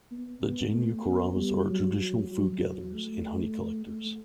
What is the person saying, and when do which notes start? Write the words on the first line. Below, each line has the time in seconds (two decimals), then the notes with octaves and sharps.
The Jenu Kurubas are traditional food gatherers and honey collectors.
0.11 B3
0.43 B3
0.74 A3
1.04 B3
1.37 G3
1.67 F#3
1.98 F#3
2.30 F#3
2.61 F#3
2.92 A3
3.86 A3